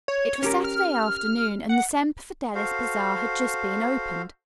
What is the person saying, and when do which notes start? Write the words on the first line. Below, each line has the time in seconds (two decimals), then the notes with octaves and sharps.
It was Saturday afternoon, and the Semper Fidelis bazaar had just been opened.
0.08 C#5
0.43 C#4 G4 A#4
0.64 F6
1.69 F#5
2.55 F#4 A4 C5 F5